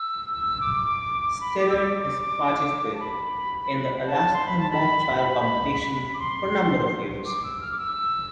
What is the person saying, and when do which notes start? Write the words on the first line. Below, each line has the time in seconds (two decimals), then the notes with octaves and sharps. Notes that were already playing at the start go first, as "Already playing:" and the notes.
Steller has participated in the Alaska Mock Trial Competition for a number of years.
Already playing: E6
0.34 E6
0.61 D6
1.41 B5
1.59 D6
1.70 E6
1.75 D6
2.95 A5
3.00 B5
4.06 A5
4.33 C6
4.46 B5
4.59 A5
4.71 B5
5.13 B5
6.14 D6
6.19 C6
7.25 D6
7.43 E6
7.61 F6
7.72 D6
7.78 E6